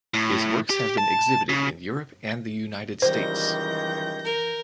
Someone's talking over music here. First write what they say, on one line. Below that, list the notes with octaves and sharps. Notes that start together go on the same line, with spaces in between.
His works have been exhibited in Europe and the United States.
A2
G4
A5
C#3
C#2 D#3 E3 G3 C5 G6 A#6
A#4